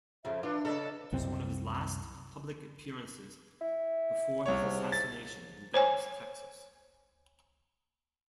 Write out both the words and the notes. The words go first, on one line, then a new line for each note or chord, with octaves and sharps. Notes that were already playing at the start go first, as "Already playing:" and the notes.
It was one of his last public appearances before his assassination in Dallas, Texas.
F2 C#3 E5
E3 D4 F4 B4
C#3 D4 A4 D#5
C2 F#2 C4
E4
C2 C#5
G#2
A6
C5 C#5 G#5